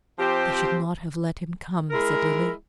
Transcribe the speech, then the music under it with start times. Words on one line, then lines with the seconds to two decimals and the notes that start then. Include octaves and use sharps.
"They should not have let him come," said Lily.
0.17 F3 C4 G4 C5
1.91 G#3 E4 A#4